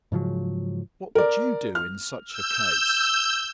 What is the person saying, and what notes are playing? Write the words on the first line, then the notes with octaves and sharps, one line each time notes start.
What would you do in such a case?
G#2 C#3 F3 F#3
A#4 D5
F6
E6 G6